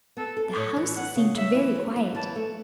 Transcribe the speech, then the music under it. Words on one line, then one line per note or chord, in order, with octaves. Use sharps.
The house seemed very quiet.
B3 A4
A4
A2 C#5
E3
B3 F#5
C#3
C#3 E5
E3
C#4
E3
E3 A5
A3